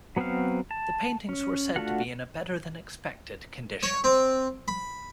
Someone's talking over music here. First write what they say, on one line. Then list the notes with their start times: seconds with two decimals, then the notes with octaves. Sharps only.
The paintings were said to be in a better-than-expected condition.
0.16 F#3 B3 C4 F#4 F5
0.71 A5
1.29 C#4
1.76 A3 D4 F4 F#4 F#5
3.83 C#5
4.04 C4
4.68 B5